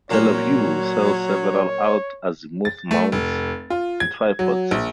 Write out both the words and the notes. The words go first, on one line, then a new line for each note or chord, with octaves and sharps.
Tele Vue sells several alt-azimuth mounts and tripods.
A#2 F#3 A#3 C#5
A6
A3
F1
F4
G#6
F#3
A#1